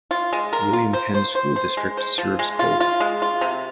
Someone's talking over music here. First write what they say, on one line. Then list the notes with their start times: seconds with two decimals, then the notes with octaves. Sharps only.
William Penn School District serves Colwyn.
0.11 F4
0.33 G#3
0.53 A#4
0.73 F4
0.93 C5
1.14 C5
1.35 C5
1.56 C5
1.77 G#3
1.97 C5
2.18 F3
2.39 G#3
2.59 F4
2.80 F4
3.00 G#3
3.22 F4
3.41 C3